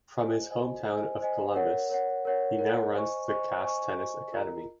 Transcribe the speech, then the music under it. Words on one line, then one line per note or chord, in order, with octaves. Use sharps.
From his home town of Columbus he now runs the Kass Tennis Academy.
C5 D#5 G#5
C5 D#5 G#5
C5 D#5 G#5
C5 D#5 G#5
A#4 C#5 F#5
A#4 C#5 F#5
A#4 C#5 F#5
A#4 C#5 F#5
C5 D#5 G#5 C#6
C5 D#5 G#5 C#6
C5 D#5 G#5 C#6
C5 D#5 G#5 C#6
F4 A#4 D#5 A#5